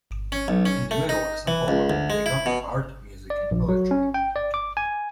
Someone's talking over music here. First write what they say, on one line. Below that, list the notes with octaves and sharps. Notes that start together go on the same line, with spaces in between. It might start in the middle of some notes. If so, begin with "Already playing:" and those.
In the middle is Apollo the god of art, music and poetry.
C#4
B1
C#4
A3
D#4
E3
C#2
D2
G#3
E4
B2
D5
A#1
F#3
C#4
G5
D5
D6
G#5